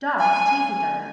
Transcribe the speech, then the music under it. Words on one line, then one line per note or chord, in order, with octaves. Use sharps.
Dogs chase each other.
G#5